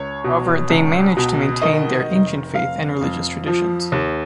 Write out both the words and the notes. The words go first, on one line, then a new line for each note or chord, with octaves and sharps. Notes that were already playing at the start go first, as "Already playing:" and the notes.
However, they manage to maintain their ancient faith and religious traditions.
Already playing: C#2 C#5
B2
C#2
B2
D#3 D#5
F1
F1 F5
F2
F3
D#2